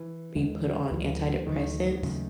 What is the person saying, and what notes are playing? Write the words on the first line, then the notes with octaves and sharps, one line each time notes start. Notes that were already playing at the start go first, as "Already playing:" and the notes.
be put on antidepressants,
Already playing: E3
D#2 D#3 G#3
D2 D3 E3 F#3
D2 D3 D#3 F#3
D#2 C#3 F#3 A3